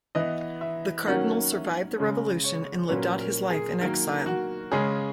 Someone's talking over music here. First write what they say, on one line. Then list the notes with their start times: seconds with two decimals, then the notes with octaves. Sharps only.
The Cardinal survived the revolution and lived out his life in exile.
0.15 E3 B3 D#5
0.61 E5
1.06 D#3 F#3 A#3 C#4 F#5
1.52 E5
1.98 C#3 G#3 C#4
2.44 C#5
2.89 A#2 F#3 A#3 C#4 B4
3.20 A#4
3.50 G#4
3.81 D#3 F#3 A#3 A#4
4.26 F#4
4.72 C#3 G#3 C#4 G#4